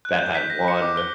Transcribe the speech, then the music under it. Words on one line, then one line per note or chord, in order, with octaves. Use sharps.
that had one
F#6
G6
B6
A#6
C#7
D6
G7